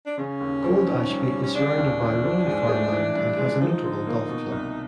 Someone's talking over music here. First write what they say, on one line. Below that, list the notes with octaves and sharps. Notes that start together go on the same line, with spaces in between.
Cold Ashby is surrounded by rolling farmland, and has a notable golf club.
D4
C#3 C#4
D#2
F3
D#3
G2
G3
C#4
C#3 D4
D#2
E3
F3
G#2
A3
E3
G2
G#3
F3 D#4
D3
A#3
B2
C2